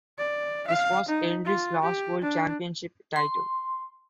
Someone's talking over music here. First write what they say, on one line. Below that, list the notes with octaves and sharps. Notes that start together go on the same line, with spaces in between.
This was Hendry's last World Championship title.
D5
F5
D#4
F4
G4
D4
C6